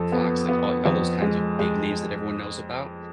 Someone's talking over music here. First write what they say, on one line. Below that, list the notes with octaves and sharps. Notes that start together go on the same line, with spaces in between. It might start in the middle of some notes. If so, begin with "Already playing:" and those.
Fox, like, all all those kinds of big names that everyone knows about,
Already playing: F2 A4
B3
B3
F2
G#3
G#3